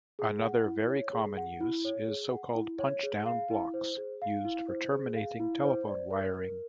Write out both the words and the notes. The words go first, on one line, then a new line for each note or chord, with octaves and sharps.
Another very common use is so-called punch-down blocks used for terminating telephone wiring.
G#4
F#5
E4
C#5
G#4
F#5
E4
C#5
G#4
F#5
E4
C#5
G#4
F5
E4
C5
G#4
F5
E4
C5
G#4
F5
E4
C5
D5
A#4
A#4